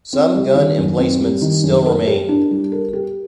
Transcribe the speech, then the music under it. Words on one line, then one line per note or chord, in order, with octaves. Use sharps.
Some gun emplacements still remain.
C4
G3
D#3
F#2
C4
G3
D#3
F#2
A#4
G4
D4
G3
A#4
G4